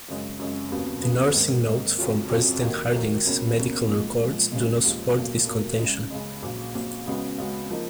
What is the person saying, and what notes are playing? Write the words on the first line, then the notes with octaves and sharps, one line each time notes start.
The nursing notes from President Harding's medical records do not support this contention.
F#2 C#3 G#3
F#2 C#3 G#3
F1 D#2 C#3 F#3 B3
F1 D#2 C#3 F#3 B3
G#2 D#3 A#3
G#2 D#3 A#3
F2 C#3 F#3 C#4 F4
F2 C#3 F#3 C#4 F4
D#2 D#3 F#3 A#3
D#2 D#3 F#3 A#3
C#2 B2 F#3 A#3 C#4
C#2 B2 F#3 A#3 C#4
A#2 F3 G#3
A#2 F3 G#3
D#2 C#3 F3 G#3
D#2 C#3 F3 G#3
B1 A#2 F#3 A#3
B1 A#2 F#3 A#3
C#2 C#3 G#3
C#2 C#3 G#3
A#1 A#2 F#3
A#1 A#2 F#3
C#2 C#3 G#3 B3 F#4
C#2 C#3 G#3 B3 F#4
F3 A#3 D#4